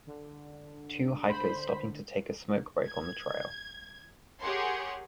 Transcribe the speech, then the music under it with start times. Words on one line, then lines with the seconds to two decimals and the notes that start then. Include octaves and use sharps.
Two hikers stopping to take a smoke break on the trail.
0.07 D3
1.29 C5 B5
2.87 G#6
4.40 G4 G#4 A#4 C#5 F#5 C6